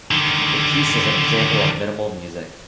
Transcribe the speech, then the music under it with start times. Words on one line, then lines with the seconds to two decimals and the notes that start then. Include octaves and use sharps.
The piece is an example of minimal music.
0.11 D3 D#3